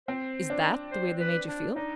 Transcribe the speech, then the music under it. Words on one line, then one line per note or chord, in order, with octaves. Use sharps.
"Is THAT the way they made you feel?"
C4 C5
D4
C5
B4
D4
D4 D#4